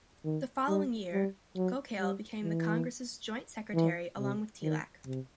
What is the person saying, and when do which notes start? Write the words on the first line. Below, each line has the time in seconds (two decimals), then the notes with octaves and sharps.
The following year, Gokhale became the Congress's joint secretary along with Tilak.
0.24 D#3
0.68 G3
1.13 G3
1.56 F#3
1.99 G3
2.43 E3
3.75 E3
4.18 C3
4.62 D#3
5.06 C3